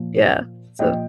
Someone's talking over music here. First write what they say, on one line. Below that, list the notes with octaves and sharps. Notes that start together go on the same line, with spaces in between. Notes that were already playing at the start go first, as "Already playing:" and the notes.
Yeah, so
Already playing: A#2 F3
A#2 F3 D#5 G5